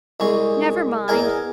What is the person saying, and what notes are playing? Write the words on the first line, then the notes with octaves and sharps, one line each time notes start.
Never mind!
C2 G#3 C#6
E2 A#4 D#5 G#5